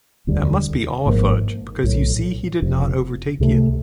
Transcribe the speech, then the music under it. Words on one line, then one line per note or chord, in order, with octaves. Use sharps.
That must be all a fudge, because you see he did not overtake you.
E1 D2 D3 G3
G#1 G#2 F3 A#3
B1 A2 F#3
F1 F2 C3
C#2 C3 F3 A3